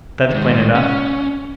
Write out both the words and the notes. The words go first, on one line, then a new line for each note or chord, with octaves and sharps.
"That's plain enough."
D#3 G#3
C#4